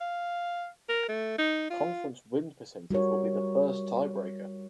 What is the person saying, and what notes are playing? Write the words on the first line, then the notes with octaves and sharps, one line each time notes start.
Conference win percentage will be the first tiebreaker.
F5
A#4
A3
D#4
F4
G3 F#4 A#4 C#5